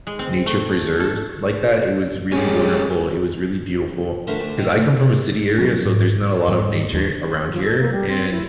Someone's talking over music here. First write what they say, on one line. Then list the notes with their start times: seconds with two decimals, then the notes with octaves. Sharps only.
nature preserves like that. It was really wonderful. It was really beautiful. 'Cause I come from a city area, so there's not a lot of nature around here. And
0.07 G#3
0.19 C4
0.46 A3
1.00 A4
2.32 G3 G#3 C#4
4.27 D3 A3 A#4 C5
4.39 D2
4.58 D#3
4.70 C3 F#3 A3
5.58 F3 F#3 C#4
5.85 G#2
6.48 G#2 E3 G3 G#3
6.93 D#2 A3 D4
7.52 F3
7.64 A4
7.80 A#3
7.92 G3
8.09 C4
8.31 E4